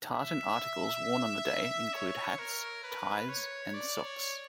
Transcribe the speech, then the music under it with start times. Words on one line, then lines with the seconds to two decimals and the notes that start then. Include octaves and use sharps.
Tartan articles worn on the day include hats, ties and socks.
0.13 E5
1.93 C#5
2.39 A#4
2.84 B4
3.29 C#5
3.74 D5
4.03 C#5